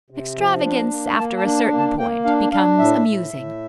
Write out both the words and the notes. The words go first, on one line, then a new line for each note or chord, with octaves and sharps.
Extravagance after a certain point becomes amusing.
C3
F3
D4
A#3
A#3 A5
A5
D4
A5
A#3
A5
A#3 G5
D4 F5
D4 F5
A2 E5
A2
A2